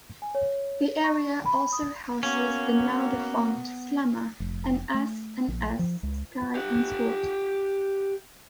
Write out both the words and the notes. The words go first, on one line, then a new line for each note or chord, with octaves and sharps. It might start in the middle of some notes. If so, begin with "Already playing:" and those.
The area also houses the now defunct "Slammer", an S and S Sky Swat.
G#5
C#5
C#6
B5
D#6
A#3 B3 C#4 F#4
F1
A3
A#1
F3
C#2
G4 F#5